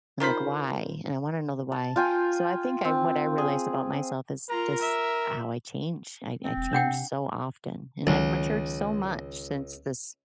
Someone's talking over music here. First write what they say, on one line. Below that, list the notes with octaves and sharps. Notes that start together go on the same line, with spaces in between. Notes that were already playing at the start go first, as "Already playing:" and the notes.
I'm like, "Why?" And I wanna know the why. So I think I what I realized about myself is just how I change. I I change so often, and I've matured so much since this
D#3 F4 C5 B5
A5
F4 G5 G#5
C4
G#4
F4 A#4 A#5
E5
C4
E1
C3 D4 F#5 G5
C#2 D#3 F#3